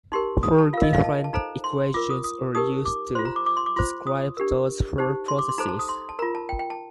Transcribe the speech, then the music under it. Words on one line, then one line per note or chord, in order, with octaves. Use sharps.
Four different equations are used to describe those four processes.
D#4 G4 A#4 C6
D#6
A5
F4 A#4 F5
D#5
F5
A5
A5
D#4 A4 C5 A#5
C6
F4 A#4 D6
D#6
D#6
D#4 G4 A#4 D#6
D6
F4 C5 C6
A#5
D6
D6
C6
D6
F4 C5 C6
D#6
D4 G4 A#4
D#4 G4 C5
C6
D6
C6
D#4 A4 C5 A#5
A5
D#6
C6
A5
F4 A#4 A#5
A5
G5
G5
A5